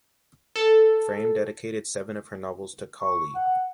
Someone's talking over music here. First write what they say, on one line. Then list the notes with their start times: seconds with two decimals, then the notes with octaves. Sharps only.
Frame dedicated seven of her novels to Cawley.
0.56 A4
3.01 C#6
3.35 F#5